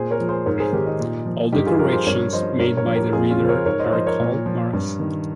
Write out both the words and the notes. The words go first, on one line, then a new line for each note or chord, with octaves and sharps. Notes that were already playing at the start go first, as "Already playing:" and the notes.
All the corrections made by the reader are called marks.
Already playing: A#2 G#4 C5
A#4 C#5
F3
G#4 C5
G#2 A#4 C#5
G#4 C5
D#3 G4 A#4
D#4 G4
A#2
F3
G2 D#4 G4
F4 G#4
F3 G4 A#4
G#4 C5
G2 A#4 C#5
F3 C5 D#5
G2 A#4 C#5
A#4 C#5
F3
G4 A#4
F2 F4 G#4
C#4 F4
C#3 F3 C5
A#4 C#5
G#2 A#4 C#5
C5 D#5
F3 C5 D#5
A#4 C#5
A#2
F3
G2
D#3